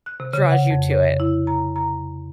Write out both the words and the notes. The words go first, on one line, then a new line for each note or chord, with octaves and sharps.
draws you to it?
F#6
C3
C#3
F#5
F2
C#5
E4
A#5
A#5